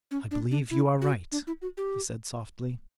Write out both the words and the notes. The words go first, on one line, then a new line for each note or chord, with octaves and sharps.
"I believe you are right," he said softly.
C#4
D4
D4
E4
F#4
D4
E4
F#4
G4